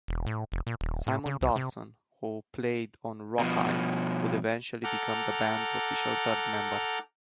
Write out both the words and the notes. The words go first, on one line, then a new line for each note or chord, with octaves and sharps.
Simon Dawson, who played on "Rockeye", would eventually become the band's official third member.
E1
A2
F1
A#2
D#1
A2
C#3
C2
C3
B2 F3
A4 F#5 A#5 D6 F6 G6